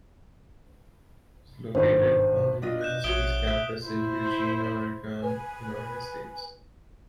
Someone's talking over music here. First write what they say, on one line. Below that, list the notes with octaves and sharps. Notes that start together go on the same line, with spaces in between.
It is located on the university's campus in Eugene, Oregon, United States.
G#1 G2 B4 C5
D4 F4 D#5
F#6 G6 E7
A#1 F#4 C#5 E5 D#6 D7 G7
E5
E4 C5
B4 G#5